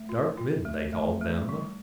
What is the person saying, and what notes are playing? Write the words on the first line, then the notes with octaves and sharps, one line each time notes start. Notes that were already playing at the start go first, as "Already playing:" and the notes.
Dark men they call them.
Already playing: A3
F4
F4
A3
A3
A3
G3